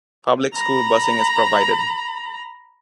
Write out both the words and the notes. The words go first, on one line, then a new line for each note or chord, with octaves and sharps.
Public School busing is provided.
A#5 B5